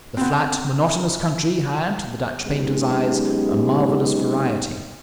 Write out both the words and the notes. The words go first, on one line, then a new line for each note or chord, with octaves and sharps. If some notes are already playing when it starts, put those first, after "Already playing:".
The flat, monotonous country had, to the Dutch painter's eyes, a marvelous variety.
B3 C4
F#3 G#3 B3 C#4 D#4 G4